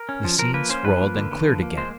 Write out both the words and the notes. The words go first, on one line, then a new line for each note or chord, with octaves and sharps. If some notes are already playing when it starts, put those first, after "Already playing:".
The scene swirled and cleared again.
Already playing: A#4
C#4
F3
F3 A#4
A#3 B4
C#4 C5
F3 B4
A#3
D3
D3
F3
A#3
G#3 C5